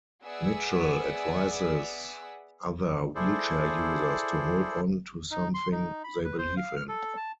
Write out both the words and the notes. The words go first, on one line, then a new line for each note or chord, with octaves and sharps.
Mitchell advises other wheelchair users to hold on to something they believe in.
B3 G#4 D5 E5 F#5 E6
E4 G#4 A4 C5 D5
D#4
C6
D#4
B5
B4
C5
F5
F6
A4
A5